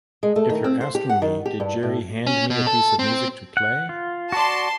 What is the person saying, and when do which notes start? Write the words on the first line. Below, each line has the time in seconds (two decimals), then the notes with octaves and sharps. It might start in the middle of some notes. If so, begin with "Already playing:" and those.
If you're asking me: 'Did Gerry hand me a piece of music to play?
0.23 G#3
0.36 A3
0.50 D#3
0.64 C4
0.81 C5
0.95 G4
1.09 F#5
1.22 D#3
1.46 G4
1.60 G2
1.83 A2
2.27 C#4
2.50 B2
2.67 A4
2.99 C4
3.57 F#5
3.89 F4
4.32 F#4 D5 A5 C6